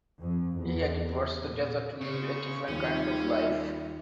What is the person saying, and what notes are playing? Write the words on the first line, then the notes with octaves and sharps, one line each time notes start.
He headed towards the desert to live a different kind of life.
F2
E2
A#2
C#3 C5 C#6
D#2 G3 A#3 C#4 E4 F4